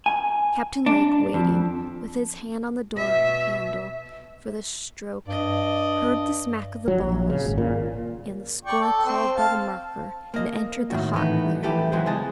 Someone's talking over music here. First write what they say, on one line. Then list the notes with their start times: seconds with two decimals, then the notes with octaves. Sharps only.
Captain Lake, waiting, with his hand on the door-handle, for the stroke, heard the smack of the balls, and the score called by the marker, and entered the hot, glaring room.
0.06 G#5
0.86 D4
1.34 F2
2.93 B2 E5
5.27 G2 D5 D#5
6.88 F#3
7.01 A#1
7.30 C#3
7.46 G#1
7.58 A#2
8.65 D5 G5 C#6
8.81 A4
9.05 C4
9.36 F5 A5
10.34 A#3 D#5
10.90 A2 D#3 F#4
11.13 E3 A3 B3 D#4
11.63 E3 E4 G4 A4 B4
11.92 E3 F#3 G#3 B3 C5
12.06 C#2 G#3 G#4 A5